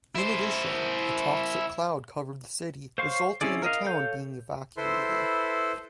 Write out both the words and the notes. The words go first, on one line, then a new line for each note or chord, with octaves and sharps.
In addition, a toxic cloud covered the city resulting in the town being evacuated.
E4 C5
C5 C#5 F5 C6 C#6
C4 C#4 E4 G#4 D5
A#4 D#5 F5
A4 C#5 F5 G6
E4 A4 B4 C5 C6